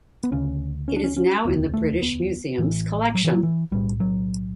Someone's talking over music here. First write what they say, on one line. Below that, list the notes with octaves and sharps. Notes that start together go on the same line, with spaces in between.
It is now in the British Museum's collection.
B3
D2 C#3 C#4
C#4
D4
C#4
C#4
E1 D2 D3 B3
A3
B3
A1 A2 E3
F#3
E3
F#3
E3
B1 A2 G3
F#3